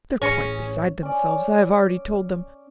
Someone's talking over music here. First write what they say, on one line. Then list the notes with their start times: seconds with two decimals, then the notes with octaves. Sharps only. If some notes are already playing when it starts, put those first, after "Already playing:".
"They're quite beside themselves; I have already told them..."
0.22 A1 C#4 G#4 C#6 A#6 C#7
1.03 C#4 D5